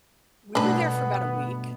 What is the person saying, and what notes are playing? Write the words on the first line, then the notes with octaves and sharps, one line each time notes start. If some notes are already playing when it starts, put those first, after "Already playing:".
We were there for about a week.
G2 B2 A3 B3 D4 B4